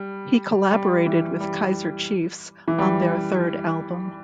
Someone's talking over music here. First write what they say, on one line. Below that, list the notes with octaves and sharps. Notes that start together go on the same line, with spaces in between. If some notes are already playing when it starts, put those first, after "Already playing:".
He collaborated with Kaiser Chiefs on their third album.
Already playing: G3
G3
E3
G3
E3
G3